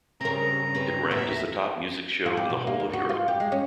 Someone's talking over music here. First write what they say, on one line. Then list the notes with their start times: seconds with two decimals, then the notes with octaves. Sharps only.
It ranked as the top music show in the whole of Europe.
0.21 G2 C#3 C4 A#4 A#5
0.75 C4 B4
1.11 D#2 A2 F#3 B3 E5
2.26 F4
2.37 G4
2.50 B2
2.67 A#3
2.80 D#2
2.93 F#4
3.09 F4
3.28 G4
3.40 G#3
3.52 C#4